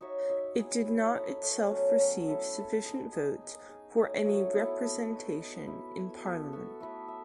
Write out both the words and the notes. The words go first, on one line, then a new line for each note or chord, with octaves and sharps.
It did not itself receive sufficient votes for any representation in Parliament.
D#4 F#4 C#5 E5
D#4 F#4 C#5 E5
B3 E4 G#4 C#5
B3 E4 G#4 C#5
D#4 A4 C#5 E5
D#4 A4 C#5 E5
F#3 A3 C#4
F#3 A3 C#4
E4 A4 E5
E4 A4 E5
D#4 G#4 D#5
D#4 G#4 D#5
D#4 G#4 D#5
D#4 G#4 D#5
A3 D#4 F#4 C#5
A3 D#4 F#4 C#5
B3 E4 A4
B3 E4 A4
D#4 F#4 B4 D#5
D#4 F#4 B4 D#5
E4 B4 E5
E4 B4 E5
B3 F#4 A4 E5
B3 F#4 A4 E5
A3 E4 B4 E5
E5